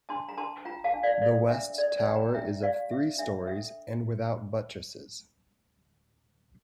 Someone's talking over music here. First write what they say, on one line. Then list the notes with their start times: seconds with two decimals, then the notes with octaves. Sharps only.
The west tower is of three storeys and without buttresses.
0.09 D4 A5 C6
0.29 A#5
0.37 D4 A5 C6
0.65 F4 G5 A#5
0.84 F5 A5
0.93 D4
1.03 D5 F5
1.22 A4 D5
1.50 D4 E5
1.78 A4 D5
1.98 D5
2.07 D4
2.16 G5 A#5
2.34 D4 E5 G5
2.63 G4 D5 F5
2.91 G4 E5
3.19 D4 E5
3.47 A4 E5 G5